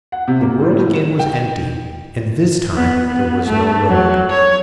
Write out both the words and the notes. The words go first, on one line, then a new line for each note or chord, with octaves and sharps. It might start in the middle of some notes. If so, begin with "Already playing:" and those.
The world again was empty, and this time there was no road.
F#5
C3
A#3
A2
A2
E7
G5
B3
B3
A3
F#3
C#5